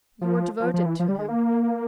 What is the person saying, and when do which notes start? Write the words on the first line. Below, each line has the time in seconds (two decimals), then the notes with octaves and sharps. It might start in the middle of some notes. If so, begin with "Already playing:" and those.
"You are devoted to him."
0.21 F3
0.60 F3
0.74 F3
0.86 E3
0.99 F3
1.09 G3
1.19 G#3
1.29 A#3